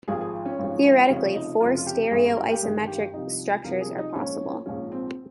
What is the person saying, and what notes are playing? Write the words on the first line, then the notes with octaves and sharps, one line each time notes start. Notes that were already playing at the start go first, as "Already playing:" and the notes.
Theoretically, four stereoisomeric structures are possible.
G#1 G#2 F3 G#4
G#4
C#4
G#1 G#2 F3
F1 F2 C#3 F3 C#4
D#4
F1 F2 C#3 F3 F4
F4
G4
G4
G#1 G2 D#3 G#4
A#4
G4
G#1 G2 D#3 G#4
G4
C2 C3 F3 D#4
C2 C3 F3 A#4
G#4
D#4
A#1 G#2 F3 C#4
A#1 G#2 F3 C#4
C4